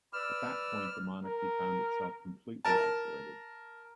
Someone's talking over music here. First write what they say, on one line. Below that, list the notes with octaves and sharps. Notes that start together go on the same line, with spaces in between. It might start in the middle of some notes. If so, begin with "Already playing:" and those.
At that point, the monarchy found itself completely isolated.
B4 D5 E6 F6
A#4
A#4 A5